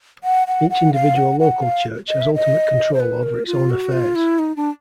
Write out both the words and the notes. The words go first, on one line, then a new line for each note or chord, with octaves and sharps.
Each individual local church has ultimate control over its own affairs.
F#5
F#5
F#5
F5
F#5
F#5
F5
D#5
E5
D#5
C5
B4
A#4
F4
F#4
F4
E4
D#4
D4